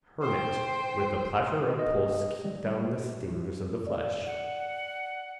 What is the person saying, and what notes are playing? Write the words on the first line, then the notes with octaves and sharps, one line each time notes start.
Hermit with a platter of pulse keep down the stings of the flesh.
C5 G5
D#5
G3
D5
F#5